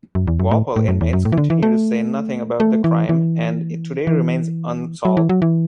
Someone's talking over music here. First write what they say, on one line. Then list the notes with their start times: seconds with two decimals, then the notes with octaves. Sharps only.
Walpole inmates continue to say nothing about the crime and it today remains unsolved.
0.15 F#2
0.27 E2
0.40 F#2
0.51 A2
0.76 A2
0.88 F#2
1.01 E2
1.13 F#2
1.25 A2
1.32 E3
1.38 D3
1.50 E3
1.63 A3
2.60 A3
2.84 E3
3.09 E3
4.07 E3
5.05 F#3
5.17 E3
5.29 F#3
5.42 E3